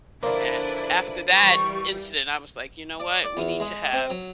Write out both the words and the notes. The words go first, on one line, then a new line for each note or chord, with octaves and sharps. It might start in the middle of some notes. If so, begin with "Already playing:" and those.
and after that incident I was like, "You know what, we need to have
D3 F3 A#3 D4 E4 B4
E3 G3 C#6
D5
D5
E2
G#3
C4
F#3